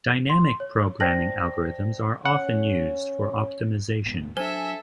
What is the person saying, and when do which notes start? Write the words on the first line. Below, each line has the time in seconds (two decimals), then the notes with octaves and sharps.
Dynamic programming algorithms are often used for optimization.
0.29 C6
0.60 C#5
1.00 C5 D5 G5 A5 A#6 F#7
2.25 C#4 F#5
4.05 D#1 G#2 B3
4.37 F#3 D4 A4 C5 E5 G#5